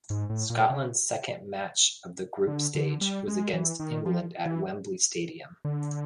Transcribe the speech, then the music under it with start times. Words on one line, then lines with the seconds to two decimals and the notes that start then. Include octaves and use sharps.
Scotland's second match of the group stage was against England at Wembley Stadium.
0.10 G#2
0.30 A2
0.50 A#2
0.70 C#3
2.47 D3
2.75 D3
3.01 G3
3.28 G#3
3.53 E3
3.80 D#3
4.06 F3
4.46 E3
5.65 D3